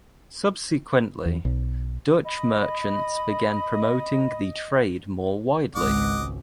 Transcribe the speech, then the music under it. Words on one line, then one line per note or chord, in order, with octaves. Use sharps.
Subsequently, Dutch merchants began promoting the trade more widely.
E2
B1
D#5 B5
G#1 C#2 D#5 F#5 D6